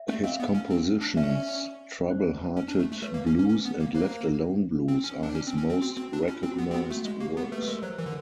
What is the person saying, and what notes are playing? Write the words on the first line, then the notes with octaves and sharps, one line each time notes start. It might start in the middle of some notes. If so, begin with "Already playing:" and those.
His compositions "Trouble Hearted Blues" and "Left Alone Blues" are his most recognized works.
Already playing: D5 E5
A3
C4 D#5 F5
B3
C#4
C4
D4
C#4 D5 E5
C5 D5
C#4
D4
A3
A3
A3 B4 C#5
A#3
C#4
C#4
C#4
B3
A#3
A#3 C5
C4
C#4
D4
C#4
C4
C#4
C4
C4 F#4
C4
D4
C#4 F4
C4
F#4
B3
C4
B3 F#4
A3
F#4
G#3
A#3 G4
B3 A4
A3 B4
A3
G#3 A#4
F#3 C5
E3 A#4
D3